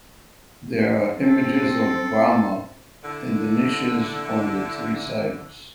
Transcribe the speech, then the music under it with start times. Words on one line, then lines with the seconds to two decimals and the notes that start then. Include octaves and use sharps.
There are images of Brahma in the niches on the three sides.
1.19 C4 A4
3.03 D3 E4